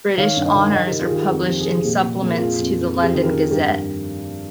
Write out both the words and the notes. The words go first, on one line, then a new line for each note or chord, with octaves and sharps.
British honours are published in supplements to the "London Gazette".
D#3 C#5 F5
G2
D#5 G5
D#3
D#3 D#5 G5
G4 A#4
D#3
F4 G#4
D#3 G4
F2 G4
F3 G4
G#4
C3 G4
G#4
A#2 G4
A#2 G4
A#2 G#4
A#4
F2 F4 G#4
F2
F2
F2 G#4
G4
F4 G#4
D#3
G4 A#4
F2
G2 G4 A#4